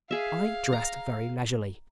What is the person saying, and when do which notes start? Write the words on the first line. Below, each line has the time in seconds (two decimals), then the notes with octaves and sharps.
I dressed very leisurely.
0.11 G#4 E5 F5
0.73 A#5